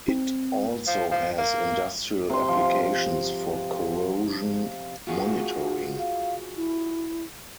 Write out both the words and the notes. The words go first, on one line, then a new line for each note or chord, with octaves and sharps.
It also has industrial applications for Corrosion Monitoring.
C4
F3
F3
A#3
C3 C6
F3
F4 F#4 G#4
F5
E4